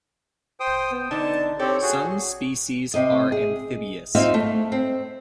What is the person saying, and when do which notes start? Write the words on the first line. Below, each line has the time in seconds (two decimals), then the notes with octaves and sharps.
Some species are amphibious.
0.60 C5 G5 D#6
0.92 B3
1.11 D3 D4 D#4 A5
1.59 C4 G4 A4 C#5
1.82 F#4 G#4
2.94 C3 C4 D#5
3.32 G#4
4.15 A#3 C4 D#4 F4 E5 F5
4.34 A3
4.72 C4